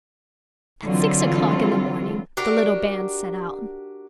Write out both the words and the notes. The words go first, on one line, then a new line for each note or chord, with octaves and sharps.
At six o'clock in the morning the little band set out.
D3 E3 F#3 C4 F4 A4
D4 F#4 G4 A#4